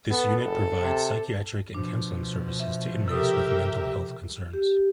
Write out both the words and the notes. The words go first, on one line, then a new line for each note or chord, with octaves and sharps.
This unit provides psychiatric and counselling services to inmates with mental health concerns.
B3 A4
F#1 A4
C3
B2 F3 D4
E5
C3 G4 A4 A#4 E5 D#6
G4